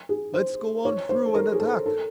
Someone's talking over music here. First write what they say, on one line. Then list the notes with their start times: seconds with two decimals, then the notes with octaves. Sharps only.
"Let's go on through and attack!"
0.09 G#4
0.34 C5
0.85 C#5
1.09 C5
1.26 A4
1.35 A#4
1.53 G#4
1.60 A4
1.86 A4